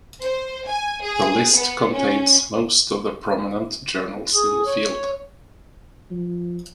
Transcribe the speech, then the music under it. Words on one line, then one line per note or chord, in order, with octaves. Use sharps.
The list contains most of the prominent journals in the field.
C5
G#5
G#4
B3
C#4
G#4
C#5
F3